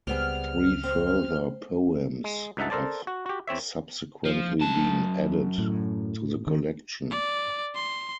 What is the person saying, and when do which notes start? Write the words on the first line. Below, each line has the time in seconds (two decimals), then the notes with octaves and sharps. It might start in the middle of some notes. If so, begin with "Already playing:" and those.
Three further poems have subsequently been added to the collection.
0.07 C#2 G3 B3 C4 G#4 F6
0.84 C4 C5
2.24 G#3
2.57 C#2 G2 D#4 E5 F#5 A5
2.70 A4 A#4 C5 D5 A5
3.07 F#4
3.26 F#4 G4
3.47 E2 C4 C#5 E5
4.25 F3
4.61 F#2 A5
5.58 A2
6.47 D#3
7.10 D5
7.75 C6